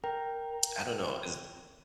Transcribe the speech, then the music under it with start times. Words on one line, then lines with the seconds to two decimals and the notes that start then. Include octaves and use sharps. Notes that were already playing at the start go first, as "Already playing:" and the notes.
I don't know, is d
0.04 A#4 G5